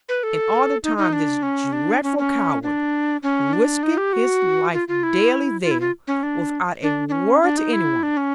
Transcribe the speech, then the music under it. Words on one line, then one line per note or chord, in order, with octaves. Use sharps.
And all the time this dreadful "coward" risking his life daily there, without a word to any one!
B4
A4
D#4
D#4
D4
C#4
D4
C#4
C#4
D4
C#4
D4
D#4
G4
F#4
F4
F4
E4
F4
E4
F4
C#4
D4
D4
D4
C#4
D4
D#4
E4
D4
C#4